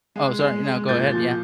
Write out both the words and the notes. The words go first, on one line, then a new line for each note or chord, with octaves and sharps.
Oh, sorry. No, go ahead, yeah.
G#3
G#3
G#3
A#2 G6 A6
F3